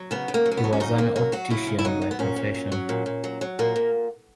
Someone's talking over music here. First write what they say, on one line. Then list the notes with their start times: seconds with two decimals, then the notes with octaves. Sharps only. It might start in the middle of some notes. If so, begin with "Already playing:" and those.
He was an optician by profession.
Already playing: F#3
0.11 C#3 B3
0.28 C#3
0.34 A#3
0.46 F#3
0.52 A#3
0.57 B3
0.64 F#3
0.73 C#4
0.80 C#3 D#4
0.98 C#3 A#3
1.16 F#3 A#3
1.32 F#3 F#4
1.50 C#3 E4
1.67 C#3
1.79 E4
1.85 F#3 D#4
2.02 F#3
2.11 B3
2.19 A#2 C#4
2.36 A#2
2.55 F#3
2.72 F#3
2.89 A#2
3.06 A#2
3.24 F#3
3.41 F#3
3.59 A#2 A#3
3.76 A#2